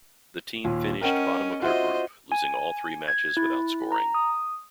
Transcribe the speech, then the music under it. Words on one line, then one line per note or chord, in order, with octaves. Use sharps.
The team finished bottom of their group, losing all three matches without scoring.
D#2 A#2
C#4 A#4 D#5 F#5 G5
F4 F#4 C5 D#5 E5
G#5
G#6
E4
A#5
D#6